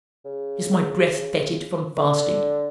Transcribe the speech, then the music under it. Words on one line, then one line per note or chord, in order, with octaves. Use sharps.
Is my breath fetid from fasting?
C#3
D3